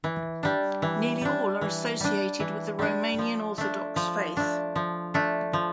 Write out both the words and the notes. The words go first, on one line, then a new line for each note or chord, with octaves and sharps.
Nearly all are associated with the Romanian Orthodox faith.
E3
G3 D4
E3
G3 D4
E3
G3 D4
E3
G3 D4
F3
A3 D4
F3
A3 D4
F3
A3 D4
F3